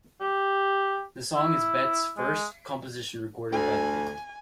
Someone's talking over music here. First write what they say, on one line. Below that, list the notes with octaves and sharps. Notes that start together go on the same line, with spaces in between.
The song is Betts' first composition recorded by the band.
G4
E4
G#3
D2 G#5